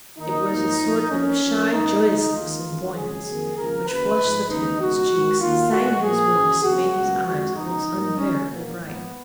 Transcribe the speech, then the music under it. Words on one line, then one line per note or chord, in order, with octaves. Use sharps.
It was a sort of shy joyousness and buoyance, which flushed the tan of his cheeks, sang in his voice, made his eyes almost unbearably bright....
D#2 D#3 A#3 D#4
G#2 F3 A#3
A#2 F3 A#3
F2 F3 A#3 C#4
F2 F3 A#3
G#2 D#3 A#3 D#4
C#2 C#3 G#3
D#2 D#3 G#3 F4
F#2 D#3 G#3
F2 C#3 F3 G#3 G#4
F2 D#3 F#3 A#3
C#2 C#3 F3 A#3 A#4
D#2 C#3 F#3 A#3 B4
G#2 F3 G#3
D#2 C#3 G#3 D#4
C#2 B2 G#3 F#4
G#2 D#3 G#3
D#2 D#3 A#3 F4
A#2 G#3 F#4
A#2 F3 A#3 G#4
F#2 C#3 F#3
F2 C#3 F#3 A#3 F#4
C#2 B2 A#3
F2 F3 G#3 F#4
C#2 B2 F#3 D#4
G#2 F3 A#3
C#2 C#3 G#3 C#4
A#2 F#3 A#3
G#2 F3 A#3 B3